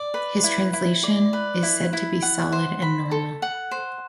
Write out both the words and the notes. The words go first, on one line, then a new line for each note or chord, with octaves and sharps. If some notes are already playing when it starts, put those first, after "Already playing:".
His translation is said to be solid and normal.
Already playing: D5
B4
E4
E4
D5
B4
E4
E4
F#5
C5
B5
A4
F#5
C5